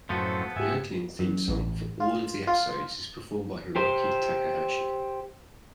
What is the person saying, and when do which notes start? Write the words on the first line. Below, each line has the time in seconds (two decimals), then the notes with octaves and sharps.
The opening theme song for all of the episodes is performed by Hiroki Takahashi.
0.09 F#2 A2 F3 B3 C4 A4
0.56 G#2 G4 E5 G#5
1.19 F#2
1.48 A1
2.00 F4
2.47 F4
3.76 G4 C5